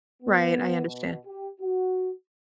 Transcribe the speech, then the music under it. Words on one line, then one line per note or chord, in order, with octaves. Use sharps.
Right. I understand.
B3
B2
G4
F#4